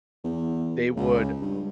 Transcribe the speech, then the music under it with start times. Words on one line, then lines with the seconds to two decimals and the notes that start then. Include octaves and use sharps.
they would
0.24 E2
0.96 C#2
1.41 G2